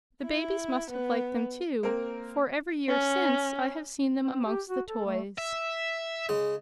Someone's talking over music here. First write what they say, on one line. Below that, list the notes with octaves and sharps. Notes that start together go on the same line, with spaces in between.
The babies must have liked them, too, for every year since I have seen them amongst the toys.
E4
B3
A#3 C4 A#4
C#4
C4
G4
F#4
A4
A3
E5
C#3 G#3